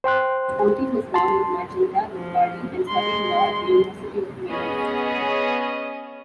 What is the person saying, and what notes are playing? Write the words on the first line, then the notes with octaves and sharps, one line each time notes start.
Ponti was born in Magenta, Lombardy and studied law at the University of Milan.
C5 G5 C6 F#6
A5 C6
F3
G#3 C6
B3 C#4 G#4 D#5